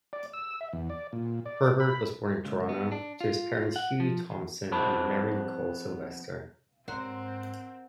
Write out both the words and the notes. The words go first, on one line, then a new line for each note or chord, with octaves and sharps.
Herbert was born in Toronto to parents Hugh Thomson and Mary Nichol Sylvester.
D5
E6
E5
E2
D5
A#2
D5
B5
C#2
B3
D4
F4
F#5
F3
E2
F2 B3 G#4 C5 A5 B5
G#2 C4 A#4 C5 F#5